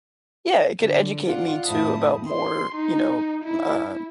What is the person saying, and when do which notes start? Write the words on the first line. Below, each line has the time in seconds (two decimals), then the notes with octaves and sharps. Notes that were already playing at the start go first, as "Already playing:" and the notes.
Yeah, it could educate me too about more, you know, m uh,
0.80 D3
1.24 F4 D5 F#5
1.65 F2 A2 E4 C5 A5 D#6
2.29 C6
2.75 D#4
3.44 E4